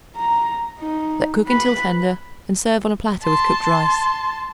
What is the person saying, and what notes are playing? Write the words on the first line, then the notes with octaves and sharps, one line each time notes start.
Let cook until tender and serve on a platter with cooked rice.
A#5
D#4
B4 B5
A5 C6